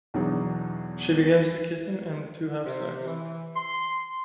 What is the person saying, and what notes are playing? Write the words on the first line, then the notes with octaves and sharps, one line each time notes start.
She begins to kiss him, and the two have sex.
E2 B2 E3 F#3 D4 D#4
C3
E3
C6